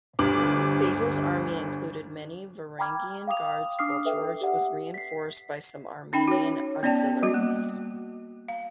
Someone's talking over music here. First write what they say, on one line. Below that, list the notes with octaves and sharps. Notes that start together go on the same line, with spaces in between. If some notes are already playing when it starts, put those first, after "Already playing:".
Basil's army included many Varangian Guards while George was reinforced by some Armenian auxiliaries.
G1 D2 G2 D6 F#7
G5 A#5 B5 D6 F6 G#6
F5 G5 D6 D#6 F7
D4 D6 D#6 F6 C7
A4 B4 E5 G5
G4 D5 F#5
B6 C7
C#4 D#4 G5 B5
F#4 C#5
B3 C#4 D5 G5 A5
G3 F#4
A#3
F5